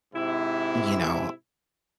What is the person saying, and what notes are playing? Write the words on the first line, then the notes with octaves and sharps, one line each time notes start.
you know,
G#2 C3 E4